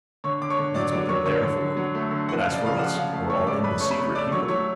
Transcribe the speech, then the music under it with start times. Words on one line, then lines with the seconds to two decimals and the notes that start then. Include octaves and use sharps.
That's what they're there for; but as for us--we're all in the secret here.
0.24 D3 C#5 C#6
0.42 D3 D6
0.50 C#5 C#6
0.59 D3
0.75 F#3 D5 D6
0.92 F#3 D5 D6
1.09 F#3 C#5 C#6
1.26 D3 C#5 C#6
1.43 D3
1.61 D3
1.77 F#3
1.95 A3
2.11 D3
2.28 F3 F#4 F#5
2.41 F5
2.45 C#3
2.54 D5
2.62 C#3 F5
2.78 F3 F#4 F#5
2.96 C#3 F5
3.12 A3 F5
3.30 A3 C#5 C#6
3.47 C#3 D5 D6
3.64 C#3 B4 B5
3.81 A3 C#5 C#6
3.91 B5
3.97 A3 C#5 C#6
4.15 A3 D5 D6
4.32 F#3 C#5 C#6
4.48 A3 C#5 C#6